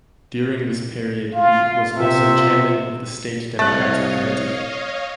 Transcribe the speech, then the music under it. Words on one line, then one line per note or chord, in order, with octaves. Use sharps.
During this period he was also chairman of the state Democratic committee.
F4 F5
C3 F4 E5
C2 A3 C#5 D#5 F5 F#6 A6